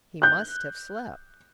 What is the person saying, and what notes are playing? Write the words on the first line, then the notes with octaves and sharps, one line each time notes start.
He must have slept.
F#6 G6